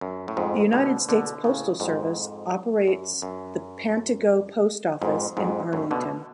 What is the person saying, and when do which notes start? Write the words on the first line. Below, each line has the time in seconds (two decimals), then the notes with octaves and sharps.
The United States Postal Service operates the Pantego Post Office in Arlington.
0.01 F#2
0.28 A2
0.37 F2 G#2
0.73 B2 D3
1.09 B2 D3
1.44 A2 C#3
1.80 F2 G#2
2.88 F#2
3.22 F#2
5.02 F2 G#2
5.37 F2 G#2
5.73 F#2 A2
5.91 B2 D3